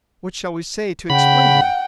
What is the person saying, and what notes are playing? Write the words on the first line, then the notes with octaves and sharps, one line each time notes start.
"What shall we say to explain them?"
C#3 F#5 G5 B5